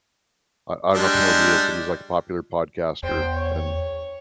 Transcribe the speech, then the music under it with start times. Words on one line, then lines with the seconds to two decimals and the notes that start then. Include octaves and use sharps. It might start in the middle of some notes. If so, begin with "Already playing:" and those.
I I don't know if you know who he is, but he's, like, a popular podcaster, and
0.94 G3 G#3 D4
3.03 E2 C5 G5
3.34 C#5